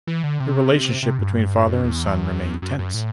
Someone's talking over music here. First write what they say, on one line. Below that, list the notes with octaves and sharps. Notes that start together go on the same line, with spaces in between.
The relationship between father and son remained tense.
E3
D3
C3
C3
G2
G2
F#2
E2
F#2
F#2
A2